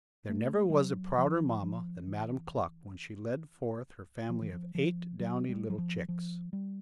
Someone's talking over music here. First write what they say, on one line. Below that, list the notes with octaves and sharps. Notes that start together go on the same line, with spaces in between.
There never was a prouder mamma than Madam Cluck when she led forth her family of eight downy little chicks.
A3
G3
F#3
F3
F3
E3
F3
E3
F3
F3
F#3
G3
F#3
F3
F3
G3